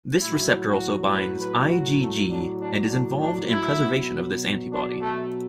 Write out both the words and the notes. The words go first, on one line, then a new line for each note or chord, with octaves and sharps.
This receptor also binds IgG and is involved in preservation of this antibody.
A2 F#3 E4
F#4
B4
B4
F#4
A3
D4
D4
D4
D4
E4
B2 F#3
D4
A3